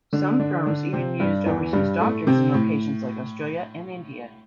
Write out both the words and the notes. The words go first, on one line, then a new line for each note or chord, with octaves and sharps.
Some firms even used overseas doctors in locations like Australia and India.
D3 D4
D3 D4
D3 D4
C3 C4
G2 G3
E2 E3
G2 G3
A2 A3
C3 C4
A2